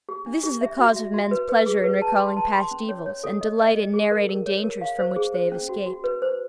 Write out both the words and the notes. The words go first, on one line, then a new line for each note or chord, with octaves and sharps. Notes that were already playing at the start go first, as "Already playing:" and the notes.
This is the cause of men's pleasure in recalling past evils, and delight in narrating dangers from which they have escaped.
G4
D4
G4
E5
F#4
E5
F#4
B4
B4
G#4
B4
A5
C6
A5
C6
C#4
C#5
C#5
A4
D#5
D#5
D#5
G#4
A#4
A#4
C#5
A#4
F5
C5
G#4
C5
C#4
F#4
F#4
B4
C5